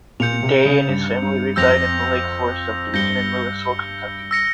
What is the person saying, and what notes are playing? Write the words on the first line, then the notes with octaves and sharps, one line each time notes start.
Day and his family reside in the Lake Forest subdivision in Louisville, Kentucky.
A#2 G6 C#7 F7
C3
C#3
G2
G2
F2 E6 G6 A#6 F7
G2 G6 A#6 C#7 G7
E6 A#6 C#7